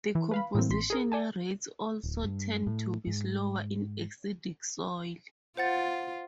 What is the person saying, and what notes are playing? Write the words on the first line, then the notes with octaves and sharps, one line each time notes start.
Decomposition rates also tend to be slower in acidic soils.
E3
B4 F5 B5
A2 E3 A#3 C4
A1 C6 B6
G#4 A#4
D5 G#5 A5
D1
G2
A2
G#2
F4 C5 F#5 A6